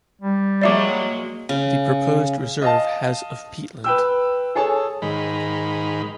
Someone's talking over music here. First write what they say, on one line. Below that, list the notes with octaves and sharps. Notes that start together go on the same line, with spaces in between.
The proposed reserve has of peatland.
G3
F#3 G#3 A#3 D5 E5 D6
C#3
D#5 F5 A5
B4 G5 E6
G#4 A4 C#5 A5
G#2 D#3 B5